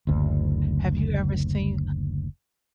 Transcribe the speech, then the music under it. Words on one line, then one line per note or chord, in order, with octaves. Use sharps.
Have you ever seen?
F#1 D2